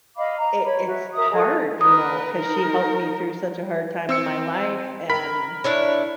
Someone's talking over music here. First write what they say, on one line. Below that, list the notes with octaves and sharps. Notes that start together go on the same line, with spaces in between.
eh i it's hard, you know, 'cause she helped me through such a hard time in my life, and
D#5 F5 B5 D6
D#5 A#5
C#5 B5
F#4 E5
A#4 E5 D#6
F#4 G#4 A4 D#5
A#4 B4 D#6
D#4 A#4
C4 E6 C#7
A#4 B5 B6
D4 E4 C#5